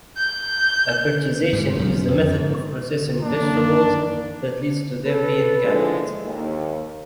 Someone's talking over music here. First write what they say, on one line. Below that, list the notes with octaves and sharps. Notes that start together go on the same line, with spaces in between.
Appertization is the method of processing vegetables that leads to them being canned.
G6
G#2 E3 G3
B1 F#2 F3
F2
G#2
F#2 E3 A#3 D4
A4 B4
A#2 D3 E3 F3 G#3
D#2